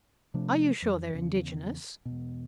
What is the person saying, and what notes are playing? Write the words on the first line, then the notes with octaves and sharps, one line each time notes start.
"Are you sure they're indigenous?"
C3 F3 A3 D4
F2
E2 C#3
E1 B2